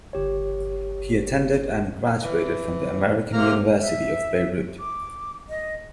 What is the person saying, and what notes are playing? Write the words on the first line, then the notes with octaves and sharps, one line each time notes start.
He attended and graduated from the American University of Beirut.
G1 G4 C#5
E3
C3 A#3 A#5 F6
E5
D6
D#5